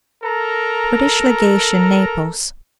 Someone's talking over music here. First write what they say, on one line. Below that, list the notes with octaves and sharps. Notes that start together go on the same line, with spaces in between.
British Legation, Naples.
A4 A#4 A#5